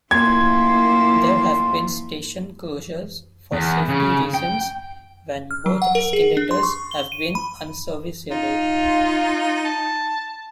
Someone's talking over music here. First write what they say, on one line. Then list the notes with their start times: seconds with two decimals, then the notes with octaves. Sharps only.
There have been station closures, for safety reasons, when both escalators have been unserviceable.
0.11 F#2 A2 A#3 E4 F4 G#6
3.52 E2
3.89 C#3
4.34 G5
5.51 F6
5.66 F#3
5.82 F#5
5.95 A#4
6.13 G#4
6.37 D4
6.51 C6
6.63 C#6
6.91 G7
7.12 D#7
7.35 B5
8.31 D#4 F4
9.65 A5